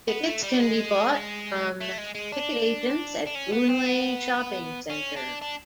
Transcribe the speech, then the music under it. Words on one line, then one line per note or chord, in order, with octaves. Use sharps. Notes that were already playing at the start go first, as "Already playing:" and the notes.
Tickets can be bought from ticket agents at Boon Lay Shopping Centre.
B3
A3
G3
G#3
A3
G#3
G#3
D4
D4
C#4
B3
C4
B3
C#4
D4
D4